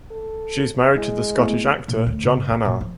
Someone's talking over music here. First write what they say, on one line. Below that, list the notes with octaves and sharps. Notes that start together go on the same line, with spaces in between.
She is married to the Scottish actor John Hannah.
A4
G#3 E4
A3 B3 E4
A#2
D2
C#3
C4
A#2
F3